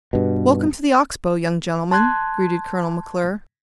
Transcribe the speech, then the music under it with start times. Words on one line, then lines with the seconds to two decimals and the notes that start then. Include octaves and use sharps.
"Welcome to the Ox Bow, young gentlemen," greeted Colonel McClure.
0.13 G2 B2
1.91 A5 C6 F#6 G#6